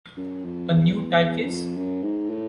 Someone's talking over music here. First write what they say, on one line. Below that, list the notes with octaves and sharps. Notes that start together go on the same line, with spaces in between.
A New Typeface?
F#2
F2
E2
F#2
F2
F#2
G#2
A2